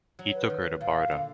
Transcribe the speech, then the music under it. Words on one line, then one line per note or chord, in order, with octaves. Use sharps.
He took her to Barda.
F#3
B4
D#3
A#2 F5
D3